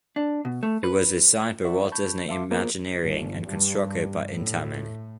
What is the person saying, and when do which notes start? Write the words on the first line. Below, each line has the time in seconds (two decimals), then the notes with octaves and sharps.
It was designed by Walt Disney Imagineering and constructed by Intamin.
0.16 D4
0.45 B2
0.63 A3
0.84 B4
1.65 C5 D5 E5 F#5 C#6
1.92 A5 B5 C#6 G6
2.29 E5 F5 A5 C6 D6
2.51 A#3 B3 F4 G#4 A#4 C5
3.02 G1
3.47 G2
4.31 A2